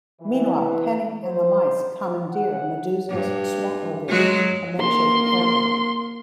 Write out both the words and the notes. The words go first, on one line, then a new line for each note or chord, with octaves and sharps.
Meanwhile, Penny and the mice commandeer Medusa's swamp-mobile, a makeshift airboat.
E3
C5
F#5
G2
F#3 G#3 F#4
A#3 C6